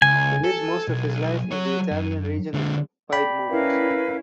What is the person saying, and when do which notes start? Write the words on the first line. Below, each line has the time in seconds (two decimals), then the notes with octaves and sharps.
He lived most of his life in the Italian region of Piedmont.
0.02 C#2 G#5
0.44 A4
0.88 B1
1.51 F#3 C#5
1.91 F#2
2.54 D3 G#3
3.12 D5 G5 B5
3.49 C#4 E4 A#4 B4 F5